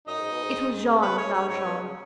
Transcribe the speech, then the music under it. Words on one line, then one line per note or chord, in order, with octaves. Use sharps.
It was Jean Valjean.
F#2 D#4 D#5
G#2
B2
G#2
C#3 B3 B4
C#4 C#5
G#2
C#4 C#5
G#2 C#4 C#5
B2
C#3